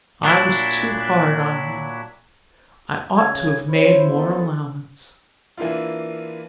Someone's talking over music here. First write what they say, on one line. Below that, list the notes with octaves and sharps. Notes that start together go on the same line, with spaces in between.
I was too hard on you--I ought to have made more allowance.
A#2 F#3 D4 E4
C#3 G#6
C#4 E4 C5 C#5 B5
D3 A#3 B3 A4
E3 A#3 D4 E4 F4